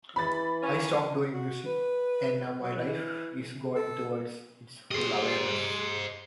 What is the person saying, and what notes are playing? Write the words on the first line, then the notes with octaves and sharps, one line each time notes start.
I stopped doing music, and now my life is going towards its full awareness.
E3 B5 A6
G3 A#3 C#4
F#4
B4
F#3
E3
A4
G4 G#4 C5 D#5